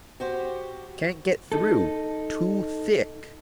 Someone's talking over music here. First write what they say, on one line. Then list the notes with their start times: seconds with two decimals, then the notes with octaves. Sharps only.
"Can't get through--too thick!"
0.20 F#4 G4 C5
1.52 D#4 A4